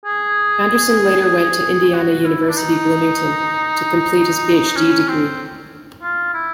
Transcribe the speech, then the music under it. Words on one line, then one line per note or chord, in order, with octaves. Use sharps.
Andersson later went to Indiana University Bloomington to complete his Ph.D. degree.
G#4
F#4
E4
D4
D#4
C#4
C4
F4
E4